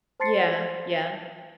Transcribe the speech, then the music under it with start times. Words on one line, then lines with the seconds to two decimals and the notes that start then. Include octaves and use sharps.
Yeah, yeah.
0.20 C5 A5 C6 A6 C7 C#7